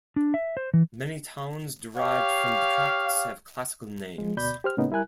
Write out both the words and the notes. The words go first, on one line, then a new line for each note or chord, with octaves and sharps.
Many towns derived from the tracts have classical names.
D4
E5
C5
E3
G4 C#5 F5
F3 G#3
D2 B2 D5 B5 G6
G4 C5 F6
A2 C#3 A#3 B3 C#4 D#4
G3 E4 A#4 G#5 F#6